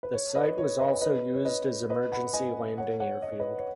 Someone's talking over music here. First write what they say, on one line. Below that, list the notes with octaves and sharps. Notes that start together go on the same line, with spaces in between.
The site was also used as emergency landing airfield.
B4
C#5
B4 D#5
C#5
B4 D#5
C#5
B4 D#5
C#5
B4 D#5
B4 D#5
F#5 B5
D#5 G#5
C#5 F#5
C#5 F#5
D#5
C#5
B4 D#5
C#5